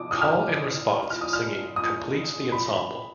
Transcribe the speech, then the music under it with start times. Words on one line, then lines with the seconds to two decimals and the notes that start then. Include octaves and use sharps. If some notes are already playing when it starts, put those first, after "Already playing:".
Call-and-response singing completes the ensemble.
Already playing: D6 D#6
0.11 D#6
0.22 F6
1.10 F6
1.21 D#6
1.33 F6
1.76 D#6
2.52 B5